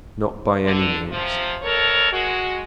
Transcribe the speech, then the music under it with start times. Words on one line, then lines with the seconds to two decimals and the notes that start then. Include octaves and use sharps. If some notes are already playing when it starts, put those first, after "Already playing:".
Not by any means!
0.64 D3
1.10 C3 F3
1.62 F2 A4 A#4 C#5
2.12 G#3 F#4